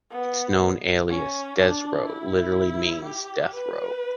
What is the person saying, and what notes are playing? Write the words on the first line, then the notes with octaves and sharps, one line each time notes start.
Its known alias, Des-row, literally means “death row”.
B3
C#4
D4
E4
G4
B4